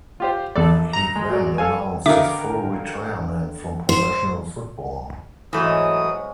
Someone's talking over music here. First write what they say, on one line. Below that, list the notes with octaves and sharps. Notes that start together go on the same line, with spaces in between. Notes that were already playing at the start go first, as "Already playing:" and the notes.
He then announced his full retirement from professional football.
F4 G4 C5
A#1 E2 A4 D5
A#5
G#3
F#3 G#3 D5
A4 F5 G#5
D3 D#3 B3 A#4 E5 F5 D6
C5
G#2 C#3 E3 F#3 A3 C#4 D#6